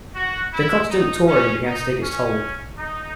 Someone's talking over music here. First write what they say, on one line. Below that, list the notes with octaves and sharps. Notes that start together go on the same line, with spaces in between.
The constant touring began to take its toll.
F#4
E4
D#4
C#4
D#4
C#4
D#4